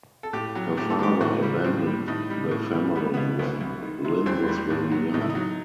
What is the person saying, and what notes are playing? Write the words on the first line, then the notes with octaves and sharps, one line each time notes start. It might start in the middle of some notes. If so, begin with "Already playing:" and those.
Her father abandoned the family when Linn was very young.
A4
A2 G4
F#3
A2 G4
A4
F#3 G4
A2 F#4
G3
A2 C4
G3
A2 D#4
G3
A2
G3
G3 B3
B2 B3
C2 B3
C2
D#3
C3
E2 C4
G3
A2
F#3
A2 D#4
E4
D#4
F#3